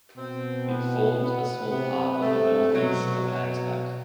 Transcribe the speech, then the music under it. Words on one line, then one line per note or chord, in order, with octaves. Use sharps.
It forms a small part of the north-east of Ansbach.
B2 C4
B3
B3
C3 B3
C3 A3
B2 F#3
F#3